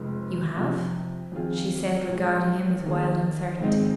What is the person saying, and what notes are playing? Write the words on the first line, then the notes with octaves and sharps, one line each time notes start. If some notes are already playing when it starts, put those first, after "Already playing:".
"You HAVE?" she said, regarding him with wild uncertainty.
Already playing: F1 F2 F3 G#3
F2 C3 F3
F2 D#3 C4 F4 G#4
A#1 A#2 G#3 F4
D#2 D#3 A#3 D#4 G#4
G#1 G#2 G#3 C4 D#4